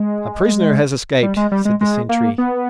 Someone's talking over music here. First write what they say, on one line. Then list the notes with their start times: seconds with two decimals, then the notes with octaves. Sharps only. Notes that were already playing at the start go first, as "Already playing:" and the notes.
"A prisoner has escaped," said the sentry.
Already playing: G#3
1.23 G3
1.37 G#3
1.52 G3
1.65 G#3
1.81 G#3
2.09 A#3
2.38 B3